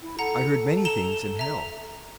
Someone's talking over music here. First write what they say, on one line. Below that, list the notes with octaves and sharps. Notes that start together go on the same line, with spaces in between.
I heard many things in hell.
E4
A4 F#5 A#5
A#5 E7 G7
E5 A#5